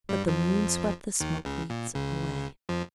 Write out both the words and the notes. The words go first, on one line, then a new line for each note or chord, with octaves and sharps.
But the moon swept the smoke-wreaths away.
G2 G3
F2 F3
D#2 D#3
C#2 C#3
A#2
C#2 C#3
F2 F3